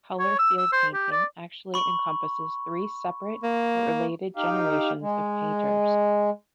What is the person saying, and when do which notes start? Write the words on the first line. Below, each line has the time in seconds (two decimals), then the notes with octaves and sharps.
Color Field painting actually encompasses three separate but related generations of painters.
0.19 C#5
0.39 E6
0.58 E6
0.72 C5
0.94 G4
1.12 D5
1.74 B5 C#6
3.43 A#3
4.36 D#4 G4 F5
5.02 G#3